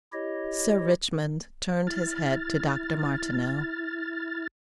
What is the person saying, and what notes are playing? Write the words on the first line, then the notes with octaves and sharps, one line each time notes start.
Sir Richmond turned his head to Dr. Martineau.
E4 G4 C#5 D#5
E4 F6 A6